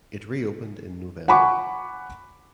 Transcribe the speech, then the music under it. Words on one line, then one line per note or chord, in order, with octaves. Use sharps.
It reopened in November.
F#5 G#5 B5 C#6 D6